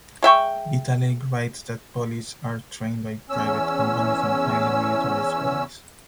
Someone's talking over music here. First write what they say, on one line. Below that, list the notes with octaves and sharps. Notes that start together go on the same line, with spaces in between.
Vitale writes that police are trained by private companies in highly militarised ways.
G#3 E5 G5 C#6
E2 C#4 E6